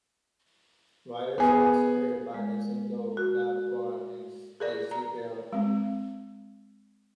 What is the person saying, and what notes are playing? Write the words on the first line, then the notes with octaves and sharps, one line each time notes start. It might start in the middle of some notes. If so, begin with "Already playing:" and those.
Riders are secured by a single lap bar and a seat belt.
B3 G#4
G#3
F#4
G#4 A#4 D5
A#5
G#3 C4